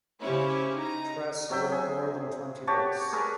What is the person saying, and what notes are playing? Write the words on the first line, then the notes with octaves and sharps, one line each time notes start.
Trese wrote more than twenty books.
C#3 C#4 E4 G4 C5 C#5
D#4 A#5
C3 F#3 E5 G5
G#4
F#4 G4 C#5 A5
G#4 A#4 B4 D5